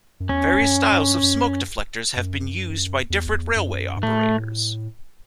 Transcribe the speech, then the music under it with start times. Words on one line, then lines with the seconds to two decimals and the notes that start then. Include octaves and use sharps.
Various styles of smoke deflectors have been used by different railway operators.
0.20 F#2
0.29 E2 C#4
0.61 F#2
0.92 G2
1.23 F#2
2.16 F#2
3.10 E2
3.56 F#2
3.97 G2
4.03 A2 A3